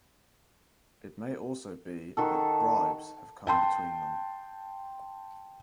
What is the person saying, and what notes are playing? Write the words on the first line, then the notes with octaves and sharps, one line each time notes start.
It may also be that bribes have come between them.
D#3 F#4 A4
G5 A5 C6